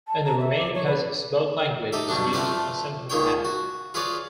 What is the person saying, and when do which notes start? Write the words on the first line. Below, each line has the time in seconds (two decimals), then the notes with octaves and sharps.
In the remaining cases, both languages use a simple past.
0.07 A5
0.24 A#5
0.39 E5
0.58 D6
0.74 C#5
0.85 B4
1.93 D#4 G4 A4 E5
2.09 G2 B2 F#3 D4
2.33 F3 A3 C4 F4 B4 D5
3.10 C#2 A#2 D#3 G#4 C#5 G5
3.45 F#4
3.94 F4 G#4 B4 C#5 D5